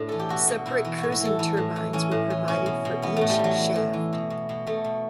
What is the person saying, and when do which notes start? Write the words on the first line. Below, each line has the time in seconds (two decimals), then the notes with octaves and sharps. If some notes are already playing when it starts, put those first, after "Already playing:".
Separate cruising turbines were provided for each shaft.
Already playing: A2 D4 E4
0.09 E3 A4
0.19 G4
0.29 B2 F#4
0.47 B2 F#4
0.66 B2 E4
0.84 E3 E4
0.98 F#4
1.03 A2
1.12 E4
1.20 E3
1.25 A4
1.39 E3 E4
1.57 A2
1.76 E3
1.93 E3 C#4
2.11 A2
2.30 E3
2.48 B2 C#4
2.66 B2
2.85 B2
3.02 E3 B3
3.16 A2 A3
3.30 G3
3.39 E3 F#3
3.57 E3
3.76 A2
3.93 E3
4.13 B2
4.30 B2
4.49 B2
4.67 B2 A3
4.84 B2